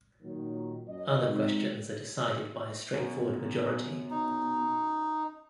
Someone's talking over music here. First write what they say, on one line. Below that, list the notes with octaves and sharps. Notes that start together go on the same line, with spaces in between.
Other questions are decided by a straightforward majority.
A#2 D#3 F#3
F#2 D#5
G#3 C4 D#4
F#2 B2
D#4